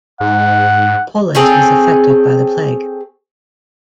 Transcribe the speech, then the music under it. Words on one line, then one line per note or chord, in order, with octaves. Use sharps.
Poland was affected by the plague.
G#2 F#5
C4 G#4 A4 C#5